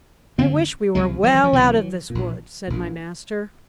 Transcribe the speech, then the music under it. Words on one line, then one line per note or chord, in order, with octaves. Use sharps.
"I wish we were well out of this wood," said my master.
G#1 F#2 D3 A#3 C4
C#2 C3 F#3 G#3
E3 F#3
E3
F3
C#2 C3 E3 F#3
A#1 A#2
A#1 A#2